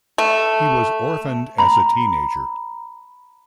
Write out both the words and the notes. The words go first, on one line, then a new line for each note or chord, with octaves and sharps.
He was orphaned as a teenager.
A3
A#5 B5